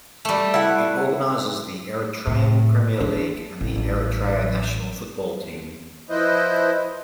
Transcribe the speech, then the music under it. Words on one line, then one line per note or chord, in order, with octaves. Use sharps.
It organizes the Eritrean Premier League and the Eritrea national football team.
G3 A3
E4 F#5
A2
D4
A1
F3 E4 B4 C5 D#5